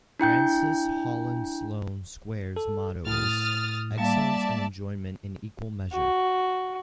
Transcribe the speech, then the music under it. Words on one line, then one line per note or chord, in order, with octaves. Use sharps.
Francis Holland Sloane Square's motto is: 'Excellence and Enjoyment in Equal Measure'.
D4 E4 G5 G6
A4
A2 D#6 F6 A6
G3 A#3 D5 E5 F5 A5
F#4